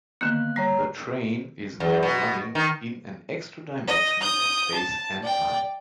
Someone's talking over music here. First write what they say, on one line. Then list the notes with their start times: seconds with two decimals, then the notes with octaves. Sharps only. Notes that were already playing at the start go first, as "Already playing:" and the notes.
The train is now running in an extra dimension of space and time.
0.21 D3 D#3 A#3 B3 F#6
0.56 G3 C#5 A#5 C7
1.80 E2
2.03 B2
2.55 D#3
3.87 D#5
4.21 D#6 G6
4.74 A5
5.22 D5 G5